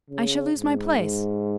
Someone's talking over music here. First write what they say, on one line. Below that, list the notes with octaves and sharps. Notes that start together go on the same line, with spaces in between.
'I shall lose my place.
C#3
G#2
G#2